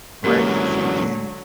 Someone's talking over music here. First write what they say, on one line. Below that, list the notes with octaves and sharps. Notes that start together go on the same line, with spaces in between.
right, if you can
F#2 D3 E3 F#3 G#3 A#3 G4 A#4